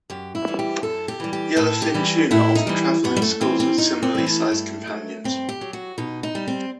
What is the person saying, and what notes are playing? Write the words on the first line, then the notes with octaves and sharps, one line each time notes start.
Yellowfin tuna often travel in schools with similarly sized companions.
F#2 G4
E4
E3 G3
G4
F#2 A4
G4
E3 G3
G4
A2 A4
G4
E3 G3
A2 E4
D#4
E3 G3
F#2 B3
G3
A3
E3 G3 C4
C4
F#2 D#4
C4
E3 G3
A3
G2
F#3
G2 C4
G4
F#3
F#4
B2 D#4
D#4
G3
C4